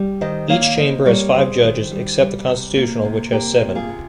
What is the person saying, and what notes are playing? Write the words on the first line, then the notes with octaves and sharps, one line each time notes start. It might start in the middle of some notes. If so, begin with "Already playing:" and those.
Each chamber has five judges, except the constitutional, which has seven.
Already playing: G3
D#3 C5 D#5
A#3 C#5 F5
A#3 C5 D#5
G3 A#4 C#5
G3 G#4 C5
D#3
G3
G3
C3
A#3
C3
A#3 G4 A#4
C3
F4 G#4
C3